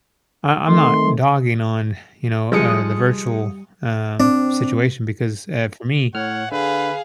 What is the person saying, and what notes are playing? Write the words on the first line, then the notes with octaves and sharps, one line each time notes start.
I I'm not dogging on, you know, uh, the virtual, um, situation because, eh, for me,
D#3 A3 C4 C6
F3 G3 G#3 D#6 C#7
C4 D4
A2 C#5 F#5 F6
D3 G#4 B4 F5